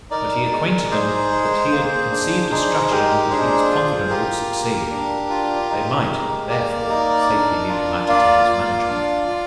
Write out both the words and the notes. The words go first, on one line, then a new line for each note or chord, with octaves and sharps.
But he acquainted them that he had conceived a stratagem that he was confident would succeed; they might, therefore, safely leave the matter to his management.
D#4 A#4 D5
G#3
D#4 G#4 C5
G#3
A#3
D4
D#4 G#4 C5
G#3 G4 A#4
D4 G#4 C5
F4
F4 G4 A#4
A#3
D4
F4
D#4
G#3
A#3 A#4 D5
D#4
D4
F4
A#3 D5 F5
F4
D4
F4